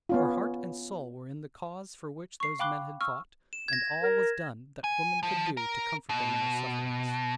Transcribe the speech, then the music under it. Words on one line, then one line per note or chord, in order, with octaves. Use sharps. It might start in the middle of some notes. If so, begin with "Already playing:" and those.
Her heart and soul were in the cause for which those men had fought, and all was done that Woman could do to comfort them in their sufferings.
B3 C#4 F4
C#6 C7
F5 G5 B5 D6 F#6 G7
C#6 E6 F6
E7
G#6 A#6
A#4
G#5
F3
A#4
B2